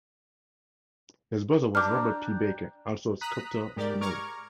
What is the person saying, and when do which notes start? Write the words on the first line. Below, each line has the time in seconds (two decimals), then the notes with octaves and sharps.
His brother was Robert P. Baker, also a sculptor of note.
1.75 D4 G5 A#5 D6 F6
3.21 A#5 D#6 F#6 B6
3.76 G#2 G4 A#4 D5
4.01 A#5 C#6 D6 F6 G#6